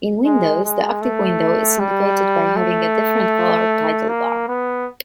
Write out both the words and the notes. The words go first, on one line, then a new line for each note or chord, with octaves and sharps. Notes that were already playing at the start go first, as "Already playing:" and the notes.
In Windows, the active window is indicated by having a different coloured title bar.
G#3
G#3
A3
G3
A3
A#3
B3